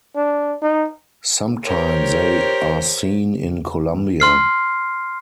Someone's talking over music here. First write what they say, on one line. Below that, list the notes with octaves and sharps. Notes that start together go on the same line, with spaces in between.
Sometimes they are seen in Colombia.
D4
D#4
G4 A#4 C5 C#5
C6 F6 C7